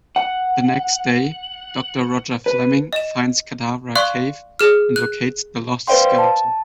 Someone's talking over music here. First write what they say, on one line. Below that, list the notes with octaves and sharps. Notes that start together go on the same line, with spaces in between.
The next day, Doctor Roger Fleming finds Cadavra Cave and locates the Lost Skeleton.
F#5
B4
D#5 E7
D5 F5 C6 C#6 F#6 G7
G#4 F6
F#6
B4 C5 D5 F5 G5 C6
A5